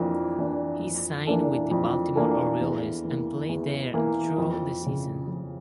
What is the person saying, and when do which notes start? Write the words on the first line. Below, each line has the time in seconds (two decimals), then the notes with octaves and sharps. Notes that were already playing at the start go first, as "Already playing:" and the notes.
He signed with the Baltimore Orioles and played there through the season.
Already playing: F2 E3 A#3 D4
0.38 E3 A#3 D4
0.82 F2
1.27 E3 A#3 D4 A4
1.71 F2
2.16 E3 A#3 D4 A4
2.61 E2
3.05 E3 A#3
3.49 E2
3.94 E3 A#3
4.38 F2
4.82 C#3 F3
5.27 F2